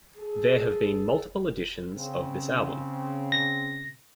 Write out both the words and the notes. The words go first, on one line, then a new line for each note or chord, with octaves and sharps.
There have been multiple editions of this album.
G#4 A4
C#3 C4
A#6